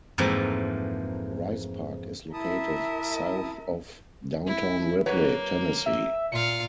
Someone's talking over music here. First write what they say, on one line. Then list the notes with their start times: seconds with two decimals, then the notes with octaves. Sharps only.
Rice Park is located south of Downtown Ripley, Tennessee.
0.18 F2 G#2 E3 F3 A3 A#3
2.33 E4 A#4 E5 A5 D#6
4.46 E4
5.06 F#3 A#3 B4 C#5
5.86 E5
6.32 A#2 F4 F5 C#7